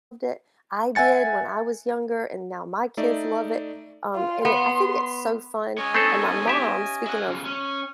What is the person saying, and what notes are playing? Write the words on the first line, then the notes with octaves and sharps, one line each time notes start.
it. I did when I was younger, and now my kids love it. Um, and it I think it's so fun. And my mom, speaking of,
E5 F#5 G#5 A6 C#7
A3 D#4 D5 E5
F4
B3 C6
G#3 C#4 C#5 D#5 G#5
A3 B3 C4 D#4 A4
G4 E5
E4 F#5
C#3 F3
C#4